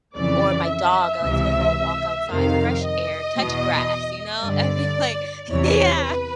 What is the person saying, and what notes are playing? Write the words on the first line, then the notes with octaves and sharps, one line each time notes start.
or my dog, I like to go for a walk outside, fresh air, touch grass, you know? I'd be like Yeah!
F2 C#3 E3 D5
E5
C#2 C3 E3
F2 C3 D#3 F5
D#5
E2 B2
G2 D3 D5
E2 C3 E3 C#5
B4